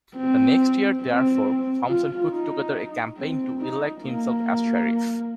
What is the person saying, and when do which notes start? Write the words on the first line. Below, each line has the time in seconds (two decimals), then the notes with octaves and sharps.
The next year, therefore, Thompson put together a campaign to elect himself as Sheriff.
0.17 C4
1.02 C4
1.88 F4
2.31 D#4
3.17 C4
3.61 D#4
4.03 A#3